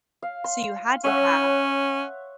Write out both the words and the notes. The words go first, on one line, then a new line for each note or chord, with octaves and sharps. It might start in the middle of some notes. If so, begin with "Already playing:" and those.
so you had to have
F5
C6
C#4 C#5 E5 F#5